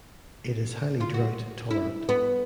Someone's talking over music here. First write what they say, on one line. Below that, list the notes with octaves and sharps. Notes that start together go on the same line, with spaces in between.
It is highly drought-tolerant.
F4
F#4
E4
B3